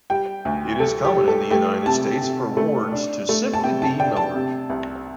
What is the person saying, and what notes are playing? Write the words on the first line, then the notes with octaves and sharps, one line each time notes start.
It is common in the United States for wards to simply be numbered.
G3 G5
D2
G3 A4
G4
G3
A4
A3 G4
C3 A5
C3
A3
D4
A3
A5
C3 G5
A5
D4 G5
A5
C3
C2